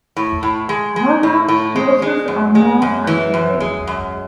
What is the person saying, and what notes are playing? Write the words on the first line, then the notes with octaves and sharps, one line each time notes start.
Other sources are more accurate.
A2
A2
G#3
G#3
A2
A2
G#3
G#3
F#2
G#3
F#2
E3
F#2
G#3
F#2